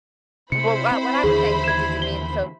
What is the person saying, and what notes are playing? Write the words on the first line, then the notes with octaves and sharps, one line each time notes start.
uh, well, what what I was saying, so did you mean, so
C3 E4 C5 B5 C#7
C4
D#2 D3 E3 G#4
G#6 E7
G7